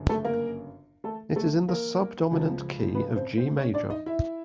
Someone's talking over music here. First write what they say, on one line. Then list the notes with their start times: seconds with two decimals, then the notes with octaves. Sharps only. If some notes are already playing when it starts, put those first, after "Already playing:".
It is in the subdominant key of G major.
Already playing: G1 F#2 C#3
0.09 A3 A4
0.25 A#3 A#4
1.04 A3 A4
1.36 A3 A4
1.68 A#3 A#4
2.31 C#2 C#3 F3
2.95 B3 B4
3.16 C4 C5
3.38 C4 C5
3.58 C#4 C#5
3.74 D4 D5
3.90 D#4 D#5
4.06 E4 E5